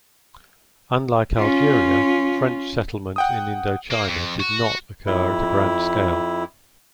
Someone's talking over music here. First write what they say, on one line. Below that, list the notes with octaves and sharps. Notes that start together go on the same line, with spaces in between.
Unlike Algeria, French settlement in Indochina did not occur at a grand scale.
C#4 F4
F#5 G5 D#6
A#3
F2
F#4
F2 E4